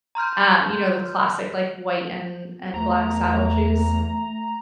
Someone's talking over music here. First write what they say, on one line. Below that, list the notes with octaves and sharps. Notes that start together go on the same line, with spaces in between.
um, you know, the classic, like, white and and black saddle shoes.
A#5 C6 F6 G6
E2 A3 A#5